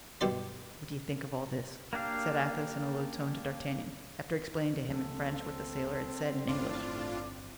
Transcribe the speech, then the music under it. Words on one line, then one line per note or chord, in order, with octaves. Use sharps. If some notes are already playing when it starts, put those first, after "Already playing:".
"What do you think of all this?" said Athos, in a low tone to D'Artagnan, after explaining to him in French what the sailor had said in English.
G2 B2 D#3 G4 D5 C6
A#3 D4 G4 F5
C#2 F3 A#3 C4 A4
G1 E2 A2 D4 F4 D5